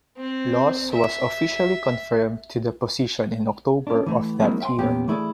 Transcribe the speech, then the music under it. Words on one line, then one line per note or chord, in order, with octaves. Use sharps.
Laws was officially confirmed to the position in October of that year.
C4
E5
C#4 D4
E3 A3
F3 F#3 G#3 A#3 C4 E4
E5 F5 G5 G#5 C6
E2 A#2 B3 C#4 G4 C#5
E3 A3 E4 G#4 A4 D5